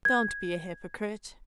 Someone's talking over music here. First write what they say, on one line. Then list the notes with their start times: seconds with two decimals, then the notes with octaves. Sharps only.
'Don't be a hypocrite.
0.05 G#6